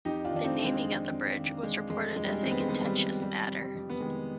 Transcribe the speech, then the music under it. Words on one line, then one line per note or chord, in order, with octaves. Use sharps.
The naming of the bridge was reported as a contentious matter.
F2 D#4 G4
D4 F4
D#3
D4
C4 D#4
D#3
G#3 C4
F2
F2
D#3
D#3 G#3
F2 G#3
F2 G#3
G3
G#3
D#3 C4
B3
G#3
D#3 G3 B3
G3
F2
F2 G3
C3
G3
F2
B3
D#3 G#3